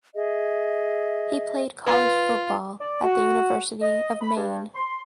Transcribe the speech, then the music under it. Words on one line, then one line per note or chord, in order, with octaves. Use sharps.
He played college football at the University of Maine.
G#4 D#5 E5
F4 B4
D5
F#4
D#5
B5
G2
C6